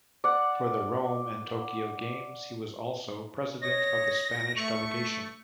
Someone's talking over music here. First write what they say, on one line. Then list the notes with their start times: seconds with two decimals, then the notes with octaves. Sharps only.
For the Rome and Tokyo Games, he was also President of the Spanish delegation.
0.24 D5 F#5
3.61 C#5 D#5 A#6
4.56 A3 C#6